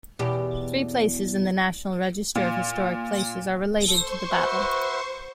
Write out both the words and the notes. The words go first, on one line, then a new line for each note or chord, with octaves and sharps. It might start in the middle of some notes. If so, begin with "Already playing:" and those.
Three places in the National Register of Historic Places are related to the battle.
E2 B2 G4
A#2
A4 C5 C6 C#6
F#4 B4 E5